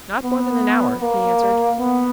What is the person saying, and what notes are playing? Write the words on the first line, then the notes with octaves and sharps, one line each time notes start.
"Not more than an hour," he answered.
B3
A#3
B3